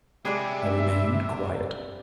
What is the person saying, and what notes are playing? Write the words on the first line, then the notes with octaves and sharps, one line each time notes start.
I remained quiet.
C3 G3 G#3 D4 G#4 D5 E5